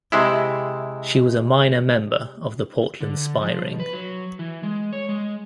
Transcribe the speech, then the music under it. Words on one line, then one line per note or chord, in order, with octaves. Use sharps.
She was a minor member of the Portland Spy Ring.
C3 G#3 E4
D3
F3
B2
B4
F#3
E3
G#3
C#5
G#3